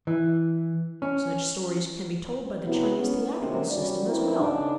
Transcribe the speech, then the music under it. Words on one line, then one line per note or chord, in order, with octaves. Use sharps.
Such stories can be told by the Chinese theatrical system as well.
E3
C#4
C3 F#3 B3 E4
B3 C#4
F#2 C3 D#3 G#3 A#3 C#4
G3 C#4 F#4 D5
F2 C4 E4 A#4 B4
C#3 D4 D#4